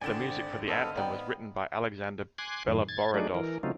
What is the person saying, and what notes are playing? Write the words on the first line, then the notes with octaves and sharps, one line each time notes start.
The music for the anthem was written by Alexander Beloborodov.
G#1 D3 C5 D5 G5 G#5 E7
B3 G4 A4 C5 D#5 F5
B3 D#4 D5 G5
G#5 C6 D6 F#6 G#6
F#2 A2 D#3
G#6 A6
F#3 A3 D4 D#4 G#4 D5
E3 A#4
C#3 F#3 A3 C4 D#4 F4